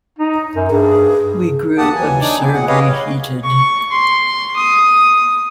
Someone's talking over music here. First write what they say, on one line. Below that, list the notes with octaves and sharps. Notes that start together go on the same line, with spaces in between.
We grew absurdly heated.
D#4
F#2
G2 G#4
E2 A#3 G4 F#5 A5 D#6
D#2 E3 F#3 G#5
D4 D#4 G#5 D6
C#3 E3 B3 C4
A#2 F#3 G#4 F#5
G4 G#4 B4 C#5 D#5 F5
C#6
C6
D#6